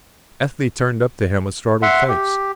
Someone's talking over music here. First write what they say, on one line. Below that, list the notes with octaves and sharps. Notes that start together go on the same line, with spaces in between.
Ethne turned up to him a startled face.
E5 F#5 C6
G4